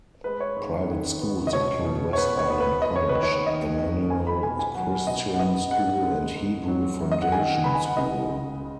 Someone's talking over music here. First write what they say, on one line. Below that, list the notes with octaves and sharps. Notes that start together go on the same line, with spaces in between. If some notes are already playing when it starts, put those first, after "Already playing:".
Private schools include West Island College, Emmanuel Christian School, and Hebrew Foundation School.
G#3 B4
C#5
G#2
D#3
B3
D#5
B2 C#5
B2
C#5
B3 B4
C#5
B3
B4
B3 D#5
C#5
D#2 B4
C#5
D#3 D#5
D#2
B3 G#5
B5
B2 G#5
G#5
F#3 F#5
B2 D#5
F#5
B3 D#5
G#2 F#5
G#3
G#2
F#3
F#2
D#5
F#5
D#3 G#5
B3 B5
G#5
F#5
B3 D#5
C#2
C#3